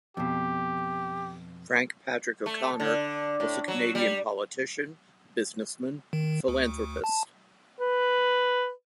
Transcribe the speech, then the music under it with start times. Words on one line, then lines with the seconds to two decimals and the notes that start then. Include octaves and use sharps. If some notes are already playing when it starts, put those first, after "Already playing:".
Frank Patrick O'Connor was a Canadian politician, businessman, philanthropist.
0.17 F2 B2 G4
2.46 A3
2.80 D3
3.40 A2
3.68 F#3
3.95 G3
6.13 D#3
6.48 D2
7.04 A5
7.80 B4